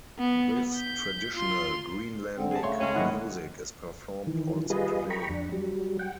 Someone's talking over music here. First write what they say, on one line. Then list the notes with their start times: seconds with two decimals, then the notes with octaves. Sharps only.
This traditional Greenlandic music is performed also today.
0.19 B3
0.76 G6 B6
1.35 F4 C6
2.37 D3 C4
2.51 G#4 A5
2.63 C#3 A3 C#5 C6
2.80 C#2 G#3 C#4 G5
2.94 G#2 D#3 A#3 E4 F#5
4.27 D#3 E3
4.70 G3 F4 G#4 B4 D#5
5.10 G5 A#5 B5 C#6
5.30 F2 D4
5.52 F#3 G3
5.99 F#5 G5